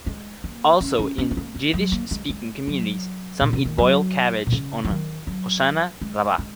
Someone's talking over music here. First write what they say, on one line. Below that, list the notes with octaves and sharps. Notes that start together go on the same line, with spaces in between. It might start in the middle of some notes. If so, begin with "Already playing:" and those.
Also in Yiddish-speaking communities, some eat boiled cabbage on Hoshanah Rabbah.
G#3
A#3
C#4
C#4
C#4
C#4
A#3
A#3
F#3
A#3
G#3
G#3
F#3
A#2
C#3
D#3
F#3
A#2
C#3
F#3
D#3
F#3
G#3
G#3